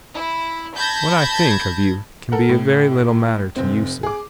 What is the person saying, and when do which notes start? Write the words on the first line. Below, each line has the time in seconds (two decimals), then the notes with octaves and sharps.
"What I think of you can be a very little matter to you, sir."
0.14 E4
0.75 A5 B5 G6 G#6 A#6
2.32 A4 A#4 F#5
2.49 A2
3.56 F1 C4
4.03 G#4 D6